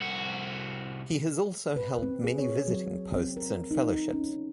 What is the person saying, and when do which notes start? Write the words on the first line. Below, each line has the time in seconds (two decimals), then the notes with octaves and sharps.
He has also held many visiting posts and fellowships.
0.01 C2 F#4
1.76 B4
2.03 C4
2.24 G#4
2.38 C#5
2.68 F#3
3.16 C4
3.37 A#4
3.71 D#4
4.13 C#4